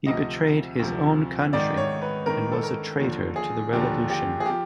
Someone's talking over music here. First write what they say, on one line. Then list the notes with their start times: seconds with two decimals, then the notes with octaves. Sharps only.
He betrayed his own country and was a traitor to the revolution.
0.06 D2 C3 F3 D#5
0.80 D2 C3 F3
1.53 G#2 D#3 D5
1.77 C#5
2.02 B4
2.26 G#2 D#3 A#4
2.52 A4
2.63 A#4
2.99 D#2 D3 F3
3.36 G#4
3.73 D#2 D3 F3 G4
4.10 G4
4.40 G#4
4.46 F3 G4